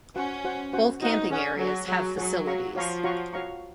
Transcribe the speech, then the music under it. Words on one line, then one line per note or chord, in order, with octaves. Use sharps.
Both camping areas have facilities.
C#4 F#4 C5 F#5
F#4 C5 F#5
F#4 C5 F#5
D#4 F#4 C5 F#5
C#4 G#4 C#5 F#5
F#3 G#4 C#5 F#5
F#3 G#4 C#5 F#5
F#3 G#4 C#5 F#5
F#4 C#5 F5 A#5 C#6
F3 F#4 C#5 F5 A#5 C#6
F#4 C#5 F5 A#5 C#6
F#4 C#5 F5 A#5 C#6